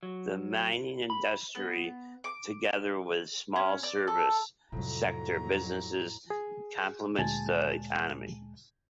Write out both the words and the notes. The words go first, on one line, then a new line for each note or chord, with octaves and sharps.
The mining industry, together with small service sector businesses, complements the economy.
F#3
B5
B3
D6
C#4
D5
A4
F2 A2 C3 F#3 G3 A#5
G#4
D2 A#2 G#3 G#5 A5 A6